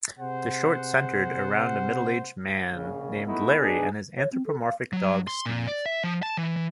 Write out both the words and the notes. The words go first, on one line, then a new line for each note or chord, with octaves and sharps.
The short centered around a middle-aged man named Larry and his anthropomorphic dog Steve.
C3 G#4 C5 F#5
A#1 C#3
A3 B3 D#4 E4 B4
B3 D4 D#4 G#4
C#5
C4
A4
F5
F#3
C6
A#2
D5
E5
F3
A5
E3
E3